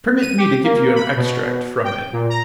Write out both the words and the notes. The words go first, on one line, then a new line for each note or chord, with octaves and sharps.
Permit me to give you an extract from it.
D#7
G4
A#3
B5
B2
G5
A#2
A#5